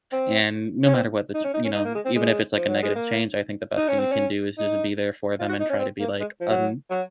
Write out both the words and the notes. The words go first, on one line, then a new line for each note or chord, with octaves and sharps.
and no matter what the ch you know, even if it's, like, a negative change, I think the best thing you can do is just be there for them and try to be, like, un
C4
C#4
C4
D#4
C#4
D#4
C#4
D#4
A#3
G#3
C4
G#3
F3
F#3
G#3
A#3
D#4
C#4
C4
C#4
D#4
F4
F#4
D#4
C#4
C4
A#3
G#3
F3
F#3
F#3